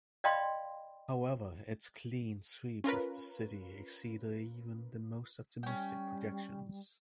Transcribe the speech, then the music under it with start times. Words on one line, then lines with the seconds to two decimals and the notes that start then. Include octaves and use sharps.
However, its clean sweep of the city exceeded even the most optimistic projections.
0.24 D5 D#5 F5 G5 B5 C6
2.84 C#4 F4 A#4 B4
5.63 G3 C#4 G5